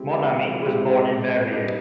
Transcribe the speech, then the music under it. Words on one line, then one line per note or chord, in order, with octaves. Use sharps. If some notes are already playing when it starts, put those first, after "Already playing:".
Monami was born in Verviers.
Already playing: G#3 C4 E4 G4
G#3 C4 E4 G4
G3 A#3 D#4